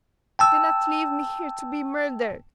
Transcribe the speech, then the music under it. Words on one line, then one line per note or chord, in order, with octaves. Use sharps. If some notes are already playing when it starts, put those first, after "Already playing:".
Do not leave me here to be murdered!
G5 A5 E6